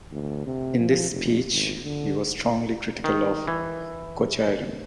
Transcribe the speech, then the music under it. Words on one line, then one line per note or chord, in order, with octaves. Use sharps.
In this speech he was strongly critical of Kocharyan.
D2
C3
F3
F1
G#1
D3
D#3
E3